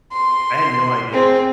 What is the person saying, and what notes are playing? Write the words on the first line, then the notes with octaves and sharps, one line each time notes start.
I had no idea.
C6
C4 G#4